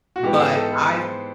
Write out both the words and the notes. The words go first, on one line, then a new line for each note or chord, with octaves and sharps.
But I
F#4
G#2 E3 G#3 B3 E4 G4
A4
G#4
A4
B4
C5